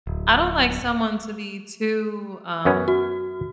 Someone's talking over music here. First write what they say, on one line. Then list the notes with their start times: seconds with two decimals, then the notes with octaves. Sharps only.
I don't like someone to be too, um
0.07 D1
2.65 F#2 B3 C#4
2.88 F#4